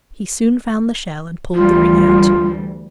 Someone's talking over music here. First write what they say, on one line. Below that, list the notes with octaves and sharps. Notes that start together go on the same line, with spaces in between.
He soon found the shell, and pulled the ring out.
D2 E3 G3 F4